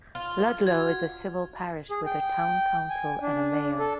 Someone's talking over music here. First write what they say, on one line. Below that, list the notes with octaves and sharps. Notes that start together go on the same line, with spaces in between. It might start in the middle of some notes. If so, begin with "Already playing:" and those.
Ludlow is a civil parish with a town council and a mayor.
F4
F#4 G#6
G#4
G5
G#5
D4
A4